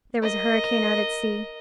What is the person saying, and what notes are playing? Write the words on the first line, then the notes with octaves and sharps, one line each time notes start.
There was a hurricane out at sea.
A#4 D#5